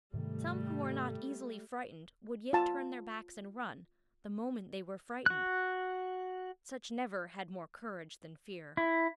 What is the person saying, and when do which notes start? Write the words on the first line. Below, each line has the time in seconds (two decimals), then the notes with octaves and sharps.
Some who are not easily frightened would yet turn their backs and run, the moment they were frightened: such never had more courage than fear.
0.14 G#2 C3 D#3 G3 A3
2.53 F4 A5
5.26 F#4 F#6
8.77 E4